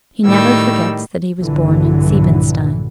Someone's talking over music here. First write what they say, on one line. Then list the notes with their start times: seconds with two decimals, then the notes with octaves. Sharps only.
He never forgets that he was born in Siebenstein.
0.25 A2 D#3 G3 E6
1.40 A#1 G2 A#2 D3 E3 F#3